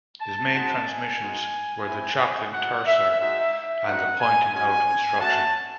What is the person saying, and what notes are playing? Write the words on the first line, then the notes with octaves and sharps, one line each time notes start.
His main transmissions were the Chokling Tersar and the pointing-out instruction.
A5
G#3 D#4 F#4 A5
G#5
G#3 D#4 F#4
C4 E4
A3 D#4 F#4 F#5
E5
G#3 D#4 F#4 E5
E5
A3 C4 D#4 F#4 F#5
G#5
G#3 C#4 F#4 G#5
A3 C#4 F#4 A5